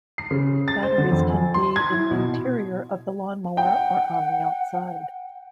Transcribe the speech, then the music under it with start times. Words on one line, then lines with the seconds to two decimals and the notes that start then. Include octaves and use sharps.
Batteries can be in the interior of the lawn mower or on the outside.
0.18 C7
0.31 C#3
0.68 A6
0.83 C5
0.98 D3
1.11 F2
1.30 G#5
1.54 C6
1.76 G#6
1.90 E4
2.11 B2
3.57 F#5 G5